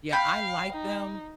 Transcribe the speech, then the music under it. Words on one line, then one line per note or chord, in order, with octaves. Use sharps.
Yeah, I like them,
F5 G5 B5
D#4